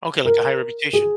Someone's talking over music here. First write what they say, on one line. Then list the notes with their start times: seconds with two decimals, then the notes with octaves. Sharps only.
Okay, like, a high reputation?
0.25 A#4
0.93 G#4